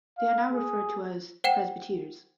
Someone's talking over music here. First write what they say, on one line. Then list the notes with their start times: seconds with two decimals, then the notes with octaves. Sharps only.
They are now referred to as "presbyters".
0.18 F5
0.53 G#4
1.44 C5 F#5 G5 E7